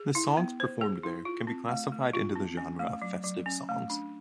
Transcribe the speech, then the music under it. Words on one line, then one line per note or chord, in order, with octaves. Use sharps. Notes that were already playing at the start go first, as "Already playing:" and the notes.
The songs performed there can be classified into the genre of festive songs.
Already playing: G#4
E4
B3
C5
G#4
E4
F4
C4
A3
A3
F4
C4
C#4
A3
F#3
F#3
C#4
A3
D4